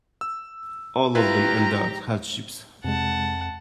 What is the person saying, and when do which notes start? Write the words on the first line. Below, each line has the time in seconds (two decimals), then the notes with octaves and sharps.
All of them endured hardships.
0.21 E6
1.15 E4 F4 G4 B4 A#5
2.84 F2 C3 G#3 F#5 A5